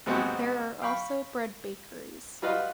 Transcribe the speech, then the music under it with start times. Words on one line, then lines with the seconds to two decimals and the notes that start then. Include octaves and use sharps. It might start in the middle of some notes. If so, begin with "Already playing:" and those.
There are also bread bakeries.
0.06 D#2 G#2 B3 C4 F#4 G#5
0.82 F5 G5 B5 C#6
2.42 G3 F4 F#4 B4 D#5 F5